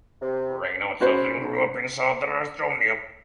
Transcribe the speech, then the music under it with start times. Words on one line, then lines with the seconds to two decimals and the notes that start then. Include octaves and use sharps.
Rein Otsason grew up in southern Estonia.
0.20 C3
1.00 C#4 F#4 B4 C5